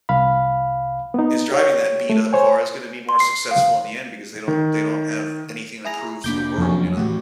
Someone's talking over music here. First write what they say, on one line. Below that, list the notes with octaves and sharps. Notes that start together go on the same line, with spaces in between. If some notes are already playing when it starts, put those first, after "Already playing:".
is driving that beat up car is going to be more successful in the end because they don't they don't have anything to prove to the world, you know.
C2 F5 B5
B3 D#4
G4 C#5
A3
C5 C#5 G#5
C6
C7
F5
D#3
E4 G#4 A#5
F1 A#3 D4 B5 D6 G6
F2 F#3 C#4
A2 E3 A3 F#4 G4